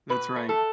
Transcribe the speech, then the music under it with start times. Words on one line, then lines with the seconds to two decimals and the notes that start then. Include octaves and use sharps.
That's right.
0.09 B2 B4
0.36 A3
0.49 A4